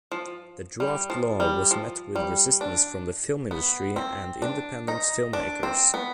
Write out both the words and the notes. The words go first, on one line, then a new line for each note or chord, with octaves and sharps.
The draft law was met with resistance from the film industry and independent filmmakers.
F3
G3
F3
G3
F3
G3
D4
B3
C4
D4
D#4
D4
C4
B3